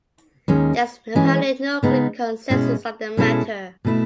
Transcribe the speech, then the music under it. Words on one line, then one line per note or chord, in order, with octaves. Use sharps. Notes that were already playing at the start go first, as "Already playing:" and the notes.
There is apparently no clear consensus on the matter.
D#2 D#3 G#3 C#4
E3 G#3 C#4 G#4
C#3 G#3 B3 D#4
B2 G#3 C#4 E4
B2 G#3 C#4 E4 A4
B2 A3 E4